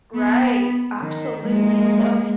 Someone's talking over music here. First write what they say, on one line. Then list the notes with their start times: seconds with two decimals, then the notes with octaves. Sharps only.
Right. Absolutely, so,
0.15 B3
0.99 D#3
1.46 G#3 A#3